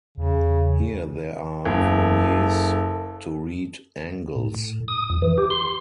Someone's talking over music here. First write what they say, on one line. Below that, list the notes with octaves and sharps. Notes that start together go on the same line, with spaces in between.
Here there are verniers to read angles.
E2 C#3
F#1 A4
A2
D#6
F2
E3
G4
C6